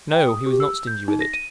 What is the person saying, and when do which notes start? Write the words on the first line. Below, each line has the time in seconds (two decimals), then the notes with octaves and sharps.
No, he was not stingy with it.
0.12 G5
0.28 D#6
0.46 G4
0.60 E6
0.87 G6
1.08 D#4
1.21 A#6
1.33 D#7